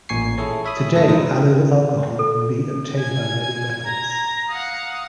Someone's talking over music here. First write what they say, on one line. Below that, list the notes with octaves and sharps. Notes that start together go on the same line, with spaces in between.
Today allyl alcohol can be obtained by many methods.
A1 A#2 G#5 C#6 C7
E4 G#4 A4 C#5
C#5 E5 B5 D#6
G2 A3 A4 A#6
D#3 D#4 B4 C5 D#6
A4
G#5 G#6
A#5
F5 F#5 D#6